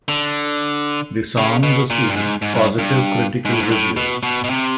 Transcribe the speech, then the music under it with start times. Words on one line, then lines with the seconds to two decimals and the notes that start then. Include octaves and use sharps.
The song received positive critical reviews.
0.08 D3
1.37 C#3
1.63 B2
1.90 A#2
2.09 G2
2.16 G#2
2.42 G#2
2.55 G2
2.78 G2
3.45 G#2
3.52 A2
3.60 G#2
3.71 A2
3.97 B2
4.23 B2
4.44 B2
4.50 C3